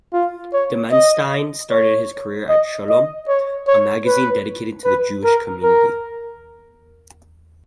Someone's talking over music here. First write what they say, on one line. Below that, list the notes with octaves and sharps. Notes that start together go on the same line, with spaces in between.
Dimenstein started his career at Shalom, a magazine dedicated to the Jewish community.
F4
C#5
D#5
C#5
D#5
D#5
C#5
C#5
B4
B4
A#4
A#4